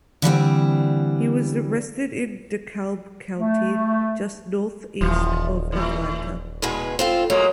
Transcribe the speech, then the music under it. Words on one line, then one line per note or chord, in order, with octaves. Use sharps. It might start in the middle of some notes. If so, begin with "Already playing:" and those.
He was arrested in DeKalb county, just northeast of Atlanta.
D3 E3 G3 C4
A3
D#1 E3 F3
A2 E3
G#2 B2 G#4 B4
C4 F4 A4
A2 F#3 G#3 A#3